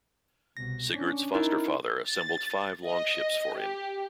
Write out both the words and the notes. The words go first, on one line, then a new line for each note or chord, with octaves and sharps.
Sigurd's foster-father assembled five longships for him.
C2 B2 A#6
C#4 D4
D#4 E4 A#4
A6
D#5
G4